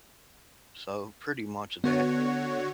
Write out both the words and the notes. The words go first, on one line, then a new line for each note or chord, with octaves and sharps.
So, pretty much of that.
D3 B3 F#4 C#5